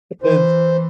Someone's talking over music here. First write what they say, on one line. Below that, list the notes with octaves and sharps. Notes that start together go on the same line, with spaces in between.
and s
E3 C5